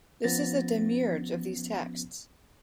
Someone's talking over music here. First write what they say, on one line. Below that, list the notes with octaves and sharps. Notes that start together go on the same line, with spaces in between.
This is the demiurge of these texts.
F3 B3 C#4 A6 A#6